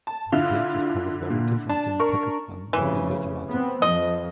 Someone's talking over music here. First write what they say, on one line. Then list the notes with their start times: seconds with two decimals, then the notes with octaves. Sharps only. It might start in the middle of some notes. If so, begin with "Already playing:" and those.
The case was covered very differently in Pakistan than in the United States.
0.07 A5
0.32 D3 E4 F4
1.30 A#2
1.69 D4 A5
2.00 A#4 C#6
2.73 F1 C#3 E3
3.50 B3 C4
3.82 F2 F3 D#5